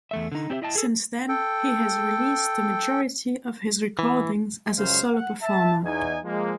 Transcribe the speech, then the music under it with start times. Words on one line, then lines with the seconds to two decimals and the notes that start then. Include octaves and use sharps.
Since then he has released the majority of his recordings as a solo performer.
0.11 E2 A3 E5
0.32 D3 D#4
0.50 C4 G4 C#5 E5
0.62 E4 D#5 G5 A5
0.76 G#4 A4
1.29 A4 G5
3.99 E3
4.76 C#2 F#2 C#3 G#3 C5 F5
5.13 F#5
5.41 E5 A5
5.83 E2 D#4 G#5
6.23 F3 G#3 A#3